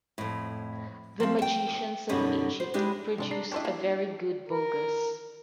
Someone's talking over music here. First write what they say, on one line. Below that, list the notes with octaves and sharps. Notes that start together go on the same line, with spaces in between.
The Magicians of Egypt produced a very good bogus.
F2 A2
F3 C4
G5 A5
F#2 B2 D3 G3 C#4 D#4
C5
G#3 D4 E4 G4
G#2 C3 G#3 D4 A4 D5
D4 A#5 C7
C#4 D4 E4 C5 D#5 G5
A#3
A#4